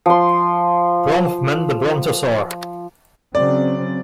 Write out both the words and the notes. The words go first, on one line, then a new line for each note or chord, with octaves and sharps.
Bronfman the brontosaur!
F3 C6
C#3 F#3 C4 D5